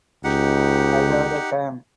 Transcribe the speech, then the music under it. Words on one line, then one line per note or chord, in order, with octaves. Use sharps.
I have the time.
C#2 D#4 G4 F#5